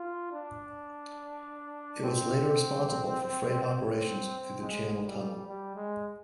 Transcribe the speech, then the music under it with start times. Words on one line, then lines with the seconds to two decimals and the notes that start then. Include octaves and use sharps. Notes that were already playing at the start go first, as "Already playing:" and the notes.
It was later responsible for freight operations through the Channel Tunnel.
Already playing: F4
0.32 D4
2.03 C4
3.76 C4
4.62 G#3
5.04 G3
5.47 G3
5.76 G#3